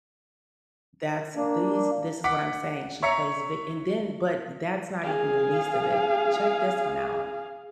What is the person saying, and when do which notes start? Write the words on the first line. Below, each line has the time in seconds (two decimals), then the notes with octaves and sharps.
that's these this is what I'm saying. She plays vi and then but that's not even the least of it. Check this one out.
1.36 A#3 D4
2.24 F#5 D6 B6
3.02 C#5 E5 A#5 C#7
5.04 G#4 F5